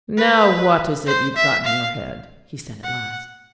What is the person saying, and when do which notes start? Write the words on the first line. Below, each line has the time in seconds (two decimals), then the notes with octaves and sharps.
"Now what is it you've got in your head?" he said at last.
0.17 B4
1.06 C5
1.36 E5
1.65 F5
2.83 F#5